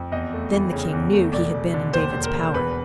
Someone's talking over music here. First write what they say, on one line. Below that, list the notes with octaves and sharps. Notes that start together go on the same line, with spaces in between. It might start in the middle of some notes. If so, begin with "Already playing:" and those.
Then the king knew he had been in David's power.
Already playing: F2
E2 D#5
A3
E3
C#3
E2
A3
E1 D5
E1
D3
D#2 C5
E1
A#4
E1
E2 B4